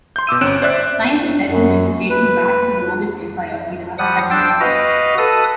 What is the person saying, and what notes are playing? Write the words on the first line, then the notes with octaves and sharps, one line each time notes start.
Signs of settlement dating back to the Roman Empire era have been found.
C6 G6
B2 D6 E6 D#7
G1 C4 C#4 F#6 D7 E7
C5 D5 E5 F#6
F#2
B4
F3 G3 F#5 D#6
D4 C5 G5 E6 A6
F#4 B4 D#5 F5
A4 B4 D#6